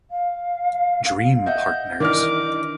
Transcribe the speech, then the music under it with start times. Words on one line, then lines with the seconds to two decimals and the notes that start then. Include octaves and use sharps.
Dream Partners.
0.10 F5
1.46 D#5 E5 F#5 G6
2.00 D#3 E3 D4 A#4 D#5 D6 F6